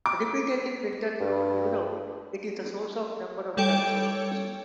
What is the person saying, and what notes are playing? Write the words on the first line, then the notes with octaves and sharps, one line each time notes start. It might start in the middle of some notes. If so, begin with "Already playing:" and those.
Repeatedly printed throughout Europe, it is the source of a number of translations.
D6
G2
G3 A4 C#5 G5 D7